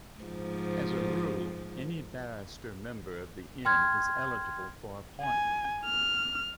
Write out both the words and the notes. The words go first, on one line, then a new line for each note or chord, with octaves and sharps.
As a rule, any barrister member of the Inn is eligible for appointment.
G#2 F3
G5 C6 F6 G#6
G#5
F6